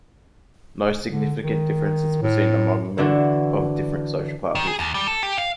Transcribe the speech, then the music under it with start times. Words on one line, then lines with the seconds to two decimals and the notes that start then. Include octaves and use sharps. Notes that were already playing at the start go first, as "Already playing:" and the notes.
No significant differences were seen among men of different social classes.
1.07 D3
1.42 D#3
2.22 A2
2.98 D3 E3 D4 F#4
4.55 D#3
4.67 G#4
4.79 D#2
4.94 G3
5.08 A4
5.23 G4
5.37 F5